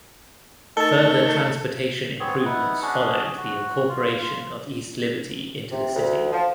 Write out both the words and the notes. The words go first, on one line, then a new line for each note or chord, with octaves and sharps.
Further transportation improvements followed the incorporation of East Liberty into the city.
A3 D#4 A4 A#4 A5 C#6 G6
B3 C4 G#4 C#5
B3 D#4 E4 F#5
C#4 D4 F#4 G#4
F#4
F4
F4
C3
D2
F3